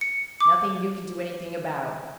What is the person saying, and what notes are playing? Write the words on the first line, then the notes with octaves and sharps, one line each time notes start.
Nothing you can do anything about.
C#7
D6